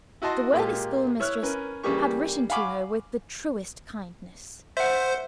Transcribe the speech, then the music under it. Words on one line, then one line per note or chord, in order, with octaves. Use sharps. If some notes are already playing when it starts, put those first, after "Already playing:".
The worthy schoolmistress had written to her with the truest kindness.
E4 F#4 D#5 A5 C6
A#2 G#3 A#3 F4 G4
E4 C#5 F6 F#6
C#4 A#4 B4
C#3 E3 G3 A#3 G4 C#6
F5 F#5 G#5 B5 C#6 D6
C5 E5 F#5